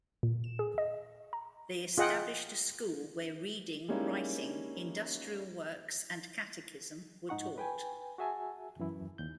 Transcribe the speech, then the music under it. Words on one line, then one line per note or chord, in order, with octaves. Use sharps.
They established a school where reading, writing, industrial works, and catechism were taught.
A#2
E7
G#4
D#5
A#5
F4 G#4 D#5 F#5 G5
G3 G#3 A#3 C#4 D#4 E4
G#2 D#4 F#5 C#6
B4 G5 G#5
F#4 G#4 E5 G#5 A5
F#2 E3 E4
D#2 G6